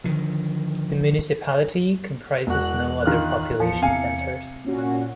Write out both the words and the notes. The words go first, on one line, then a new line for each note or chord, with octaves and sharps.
The municipality comprises no other population centres.
D3 D#3 F3
E1 E2 F#4 F#6
D#3 F4 F6
E2 F3 C#7
C3 F5 G#5
A#2 C#4 F#4